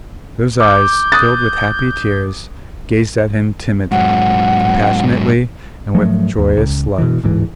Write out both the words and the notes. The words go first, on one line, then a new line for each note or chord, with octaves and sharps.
Those eyes, filled with happy tears, gazed at him timidly, compassionately, and with joyous love.
D6 G6
D#6 F#6 A6
G#2 F#3 F#5
G#2 F3 F#3 A3
D#2
C#2
B2 E3
D1 G#2 E3